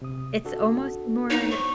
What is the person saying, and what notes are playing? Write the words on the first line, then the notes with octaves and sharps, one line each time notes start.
it's almost more
C3 D#6
D4 F#4 A4
B3 D4 D#4 C#5
C5 C#6